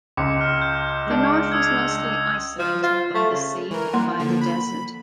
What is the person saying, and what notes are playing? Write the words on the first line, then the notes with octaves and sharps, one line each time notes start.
The north was mostly isolated by the sea and by the desert.
C#2 D6 C#7
F6
G6
G#3 D4
D#6 E6 G#6
F3
F4
A3
C#3
E3 A#4
A#3 C6
D3 F3
B5